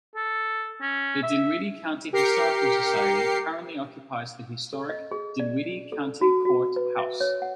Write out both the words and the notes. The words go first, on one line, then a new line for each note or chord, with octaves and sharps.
The Dinwiddie County Historical Society currently occupies the historic Dinwiddie County Court House.
A4
C#4
E5
G4 A#4 G5 C7 C#7
A4
D#5
G#4
D5
A4
F#4
F#4
B4
E5
C#5
F#5